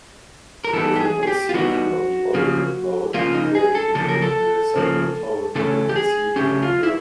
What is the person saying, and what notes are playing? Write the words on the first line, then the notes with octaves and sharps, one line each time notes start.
The frequency of the other mode varies between the cyclotron frequency and zero.
A#4
E3 G3 B3 D#4 A4
G4
G#4
G#4
G4
F4
E3 G3 B3 D#4 F#4
C#3 F3 A#3
C#3 F3 A#3 F4
D#4
G#4
A4
C#3 F3 A#3 A4
A#4
A4
C#3 F3 A#3
C#3 E3 A3 C#4 A4
G4
G#4
C#3 E3 A3 C#4 G4
F4
E4